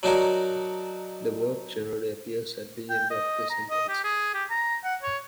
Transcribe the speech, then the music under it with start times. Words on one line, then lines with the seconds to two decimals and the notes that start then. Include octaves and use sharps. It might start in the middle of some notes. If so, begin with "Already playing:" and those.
The verb generally appears at the end of the sentence.
0.03 F#3 D4 D#4 F#4 A#4
2.90 G5
3.11 D#5
3.50 A#5
3.70 D#5
3.89 G4
4.04 G#4
4.34 G4
4.50 A#5
4.84 F#5
5.02 C#5